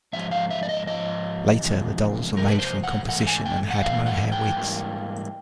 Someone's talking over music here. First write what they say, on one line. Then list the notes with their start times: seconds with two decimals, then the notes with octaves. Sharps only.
Later the dolls were made from composition and had mohair wigs.
0.13 G#2 F3 G#3 E5
0.31 F5
0.50 E5
0.63 D5
0.69 D#5
0.86 G#2 F3 D#5
1.61 E2 C3 F3 G#3
2.34 E2 C3 F3 G#3 A#4
2.48 B4
2.59 C5
2.84 F#5
3.09 G#2 E3 A3 F#5
3.27 G#5
3.46 G5
3.71 F#5
3.82 G#2 E3 A3 F5
4.06 F#5
4.32 G5
4.56 G#2 E3 G3 A#3